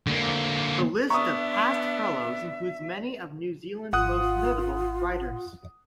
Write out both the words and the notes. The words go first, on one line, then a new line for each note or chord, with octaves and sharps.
The list of past fellows includes many of New Zealand's most notable writers.
D3 A#3
B3 D4 E5 A#5 C#6 D#6
G#1 F4 F#5 D#6 F#6